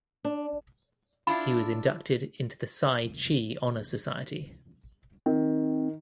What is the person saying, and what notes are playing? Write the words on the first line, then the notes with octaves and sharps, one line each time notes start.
He was inducted into the Psi Chi honour society.
D4
D4 E4 F4 B5
D#3 C4